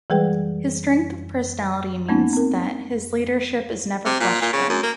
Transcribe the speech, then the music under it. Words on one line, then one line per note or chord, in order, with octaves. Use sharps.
His strength of personality means that his leadership is never questioned.
E3 G3 G#3 G#4 B4 G5
G#3 A#3 B3 C#4 D#4
C4 A#4
C3
A#2
A#2
C#3
F#2
A#3